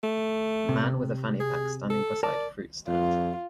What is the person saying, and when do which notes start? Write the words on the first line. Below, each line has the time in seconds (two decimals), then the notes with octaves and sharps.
Man with a fanny pack standing beside fruit stand.
0.03 A3
0.69 C3
1.40 G#4
1.90 A4
2.23 A#4 D5 A5
2.88 F2 F4